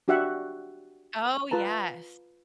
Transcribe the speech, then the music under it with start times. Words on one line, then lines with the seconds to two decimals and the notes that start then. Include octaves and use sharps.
Oh, yes.
0.08 D4 F#4 G4 E5 F#5
1.51 F4 B4 A5 A#5